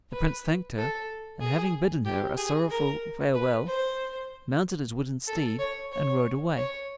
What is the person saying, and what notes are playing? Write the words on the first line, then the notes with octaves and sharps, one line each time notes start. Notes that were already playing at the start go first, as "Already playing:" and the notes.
The Prince thanked her, and having bidden her a sorrowful farewell, mounted his wooden steed and rode away.
B4
A4
G#4
G4
G#4
A#4
B4
C5
A4
C#5
C#5
C#5